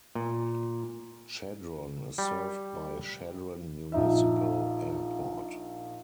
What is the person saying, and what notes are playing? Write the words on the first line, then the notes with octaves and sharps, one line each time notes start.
Chadron is served by Chadron Municipal Airport.
A#2
G3
A#1 D#4 E5